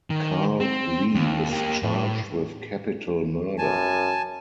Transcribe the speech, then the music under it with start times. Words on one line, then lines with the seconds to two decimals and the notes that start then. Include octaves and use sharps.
Carl Lee is charged with capital murder.
0.10 D#3
0.60 C4
1.15 D#2
1.49 A#3 G4
1.83 A2
3.58 F#2 G#5 A5